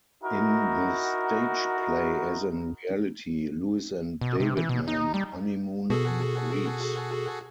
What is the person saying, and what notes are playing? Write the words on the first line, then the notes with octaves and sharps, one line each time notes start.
In the stage play as in reality, Lewis and Davidman honeymoon in Greece.
D#4 E4 F#4 A#4
B2
C3
E3
B2
D#4
G3
B2 F#4 G#4 A4